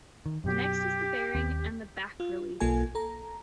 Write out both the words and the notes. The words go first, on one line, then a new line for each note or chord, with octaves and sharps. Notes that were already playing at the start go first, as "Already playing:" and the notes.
Next is the bearing and the back relief.
D#3
F#2 B2 F#3 G4
D#2 C4
F4
B1 A#3 F4 A4 G#5
A4 A#5